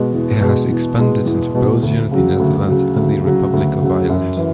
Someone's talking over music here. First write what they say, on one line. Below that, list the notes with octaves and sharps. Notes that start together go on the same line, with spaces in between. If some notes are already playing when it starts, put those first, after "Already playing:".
It has expanded into Belgium, the Netherlands and the Republic of Ireland.
Already playing: B2 G#3
E2
B2 G#3
E2
B2 G#3
E2
B2 G#3
D2
C#3 F#3
D2
C#3 F#3
D2
C#3 F#3
D2
C#3 F#3
F#2
E3